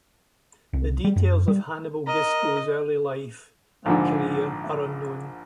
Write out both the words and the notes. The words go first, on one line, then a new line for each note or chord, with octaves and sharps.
The details of Hannibal Gisco's early life and career are unknown.
C2
G3
F#2
G3
A#4 D#5
A#1 G#2 D3